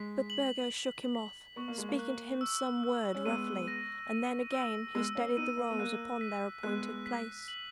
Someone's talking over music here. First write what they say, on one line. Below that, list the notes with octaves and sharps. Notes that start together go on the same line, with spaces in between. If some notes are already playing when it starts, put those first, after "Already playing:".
But Burgo shook him off, speaking to him some word roughly, and then again he steadied the rolls upon their appointed place.
Already playing: G#3 B6
F#7
F#7
B6
B3 C#6
A#3
G#3
A#3
F#6
E6
E6
C#4
G#3 B3 D#7
A#6
D#7
E6
G#3 B3 E6
A#3 C#4
B3 D#4 D#7
A#3
B3
A#3 F#6
B6
G#3 B3 F#6
B6
F#7